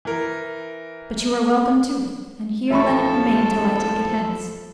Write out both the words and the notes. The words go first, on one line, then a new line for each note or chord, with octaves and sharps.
But you are welcome to it; and here let it remain till I take it hence.
E3 A#4
A1 D#2 B2 F3 A4 E5 B5 C#6